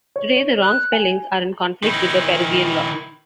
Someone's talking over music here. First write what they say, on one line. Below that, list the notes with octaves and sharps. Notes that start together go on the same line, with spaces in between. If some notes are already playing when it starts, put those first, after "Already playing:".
Today the wrong spellings are in conflict with the Peruvian law.
C#5
C#5
F#6
G#5
D#3 E4